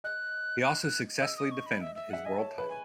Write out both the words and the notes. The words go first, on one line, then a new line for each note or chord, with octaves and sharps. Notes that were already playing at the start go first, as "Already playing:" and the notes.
He also successfully defended his world title.
D#5 F#6
F#6
F#6
D#5 E6
D#6
C#6
B5
E5
E5
E5 F#5
D#5 G#5
C#5 A5
B4
G#5